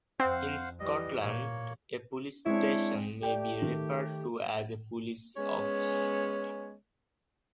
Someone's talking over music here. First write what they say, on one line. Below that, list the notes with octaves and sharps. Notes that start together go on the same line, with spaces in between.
In Scotland a Police Station may be referred to as a Police Office.
F2 C4 C5 F5 F#5
E3 G3 D#5
A#2 A#3 C#5
G#3 C4 D4 E4 C#5
A3 G4 D5 G5
D#3
G#3 B3 C#4 C#5